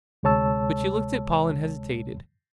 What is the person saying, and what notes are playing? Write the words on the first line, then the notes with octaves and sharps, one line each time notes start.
But she looked at Paul and hesitated.
D2 C3 G#3 C#5 A5 E6